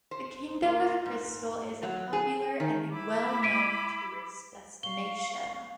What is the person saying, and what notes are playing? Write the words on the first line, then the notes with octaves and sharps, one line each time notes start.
The Kingdom of Crystal is a popular and a well known tourist destination.
C5
A#3
G#2
F#3
G#4
D#3
E4 B5 D6
B6 D7 D#7
F5 C#6 G7